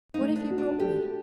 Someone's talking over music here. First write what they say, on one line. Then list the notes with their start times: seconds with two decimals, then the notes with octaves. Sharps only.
What have you brought me?'
0.14 D#4
0.21 A3
0.36 D4
0.51 F#4
0.58 D4
0.79 G4 A4